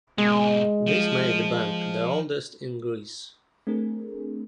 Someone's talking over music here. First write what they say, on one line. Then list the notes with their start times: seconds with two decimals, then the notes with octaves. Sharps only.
This made the bank the oldest in Greece.
0.18 G#2 B2 G#3
0.87 F3
3.67 A3 C4 D4 G#4 A#4